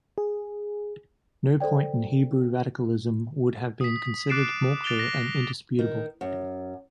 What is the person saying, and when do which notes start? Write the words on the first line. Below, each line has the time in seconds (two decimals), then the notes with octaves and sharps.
No point in Hebrew radicalism would have been considered more clear and indisputable.
0.18 G#4
1.60 A4 C5 D5 G5
3.81 D#6 B6
4.29 D6 F#6 A6 C7 D7 E7
4.84 A6 D7 F7 G7
4.99 A#6
5.79 D#3
6.21 F#2